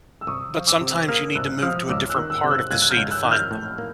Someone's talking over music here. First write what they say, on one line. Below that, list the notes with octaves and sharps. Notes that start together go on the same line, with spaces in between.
but sometimes you need to move to a different part of the sea to find them.
E6
C2 C#6 D#6
F3
D6 E6
C3
A#3 D#6 F6
C2 E6 F#6
F3 D#6 F6
C#2 D6 E6
E6 F#6
D#3
E6 F#6
C3
E6 F#6
C#2 F#6 G#6
F#6
F6 G6
C#2
E6 F#6
D#3
F6 G6
A2
A#3